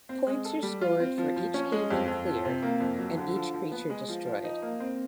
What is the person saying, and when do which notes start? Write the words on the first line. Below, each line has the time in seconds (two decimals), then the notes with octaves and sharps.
Points are scored for each cave-in cleared and each creature destroyed.
0.09 C4
0.27 G#3
0.45 A4
0.63 G3
0.81 F4
1.00 C4
1.18 F3
1.36 F3
1.54 C#4
1.72 G#3
1.90 F2
2.08 F2
2.27 F3
2.45 C3
2.63 A#3
2.80 F2
2.99 F#3
3.18 D3
3.36 F3
3.53 F3
3.72 B3
3.90 G#3
4.08 F3
4.26 F3
4.44 D#4
4.62 A#3
4.80 C4